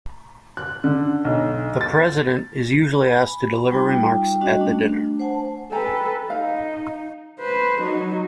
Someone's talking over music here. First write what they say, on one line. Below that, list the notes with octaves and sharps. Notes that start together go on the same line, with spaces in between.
The president is usually asked to deliver remarks at the dinner.
F#6
D3
B1
A6
G#5 B5
G3 D#4 F4 G5 D6
G3 C#4 D4 F#4 D#5
A3 D4
C5 F#5 G#5 A5
A4 B4 G5 G#5 A#5
D#4 F5
B4 C5
F#3 D#4